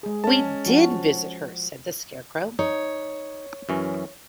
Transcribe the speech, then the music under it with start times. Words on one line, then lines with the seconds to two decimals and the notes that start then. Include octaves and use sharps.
"We did visit her," said the Scarecrow.
0.03 G#3 G#4
0.24 C#4 A5
0.66 F3 F#4
2.59 D#4 C#5
3.69 F#2 E3 C#4